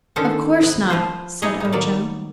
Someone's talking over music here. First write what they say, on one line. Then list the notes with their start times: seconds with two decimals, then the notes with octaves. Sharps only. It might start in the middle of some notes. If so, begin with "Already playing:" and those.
"Of course not," said Ojo.
0.16 D3 D#3 C#4 D#4 A4 C5
0.62 C3 B3 B4
0.90 F3 B4 C5
1.42 D#4 E4 G4 G#4 C#5 D#5
1.60 A2 D#4
1.72 D#3 F#3 A#3 B3 D5